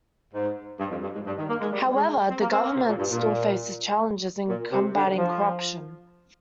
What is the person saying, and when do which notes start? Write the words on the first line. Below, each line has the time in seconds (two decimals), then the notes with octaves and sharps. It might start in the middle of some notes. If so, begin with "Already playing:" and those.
However, the government still faces challenges in combating corruption.
0.34 G#2
0.79 G2
0.91 F2
1.03 G2
1.14 G#2
1.26 G2
1.37 D#3
1.49 A#3
1.61 G#3
1.72 G3
1.95 G#3
2.30 C4
2.41 A#3
2.52 C4
2.64 A#3
2.76 C3
2.88 A#2
2.99 G2
3.11 A#2
4.49 A#2
4.71 C3
4.94 D3
5.17 F3